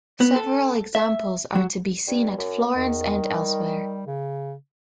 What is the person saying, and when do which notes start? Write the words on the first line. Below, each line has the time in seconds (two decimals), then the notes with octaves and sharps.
Several examples are to be seen at Florence and elsewhere.
0.21 B3
0.36 A4
0.95 E5
1.55 F#3
2.07 G2
2.37 F#2
2.59 A#3
2.76 E2 D#3
3.22 G3
4.06 C#3